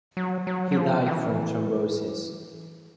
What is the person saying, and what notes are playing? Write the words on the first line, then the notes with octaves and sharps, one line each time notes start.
He died from thrombosis.
F#3
F#3
F#3
F3
E3